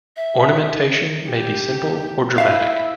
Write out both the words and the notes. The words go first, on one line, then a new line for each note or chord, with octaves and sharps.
Ornamentation may be simple or dramatic.
E5
G4
E4 E5 F5